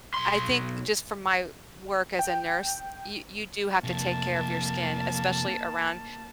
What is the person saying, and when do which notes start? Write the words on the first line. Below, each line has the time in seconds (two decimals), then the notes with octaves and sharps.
I think just from my work as a nurse, y you do have to take care of your skin, especially around
0.14 B1 C6
2.19 G5
3.84 F2 C3 A#3 A5